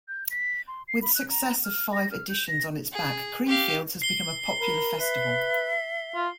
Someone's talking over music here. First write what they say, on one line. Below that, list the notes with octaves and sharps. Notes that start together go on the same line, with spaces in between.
With success of five editions on its back, Creamfields has become a popular festival.
G6
B6
C6
C7
B5
F#6
A#5
F6
A#6
F6
G6
A#6
G#4
G4 F5
C7 G7
A#4 B5
B4 E5
F4